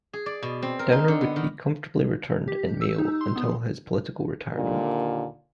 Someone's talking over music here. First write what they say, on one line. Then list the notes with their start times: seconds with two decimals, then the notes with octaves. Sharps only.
Downer would be comfortably returned in Mayo until his political retirement.
0.13 G#4
0.26 D5
0.42 B2
0.62 C4
0.79 A#4
0.92 D#4
1.08 D3
1.21 B3
1.36 D#3
2.48 G4
2.81 E6
2.98 D#4
3.21 C6
3.36 B3
4.52 D#2 A#2 D3